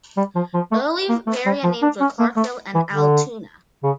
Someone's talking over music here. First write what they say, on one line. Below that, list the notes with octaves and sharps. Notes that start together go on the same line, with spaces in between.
Early variant names were Clarkville and Altoona.
G3
F3
F3
A3
A#3
A3
G3
F3
D4
C#4
A#3
A3
E3
D3
C#3